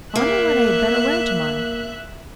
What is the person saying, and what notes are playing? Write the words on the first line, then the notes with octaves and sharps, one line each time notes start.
I wonder what I had better wear tomorrow.
A#3 E5 F#6